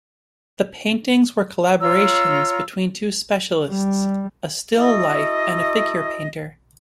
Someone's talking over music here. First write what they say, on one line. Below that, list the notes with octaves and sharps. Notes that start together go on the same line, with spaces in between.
The paintings were collaborations between two specialists: a still life and a figure painter.
F4 C#5 A#5 E6
G3
E4 F#4 A4 D#5